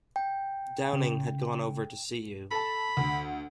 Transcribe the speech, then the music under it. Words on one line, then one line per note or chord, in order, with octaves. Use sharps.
Downing had gone over to see you.
G5
C#3
A4 A5 B5
D2